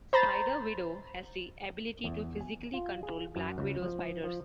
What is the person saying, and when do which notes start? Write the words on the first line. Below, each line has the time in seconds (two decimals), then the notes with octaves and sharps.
Spider Widow has the ability to psychically control black widow spiders.
0.13 C5 A#5 B5 A6
2.04 E2
2.41 G#5
2.73 F4
3.03 G#4
3.36 F#2
3.58 C#2
3.82 F3
4.24 F3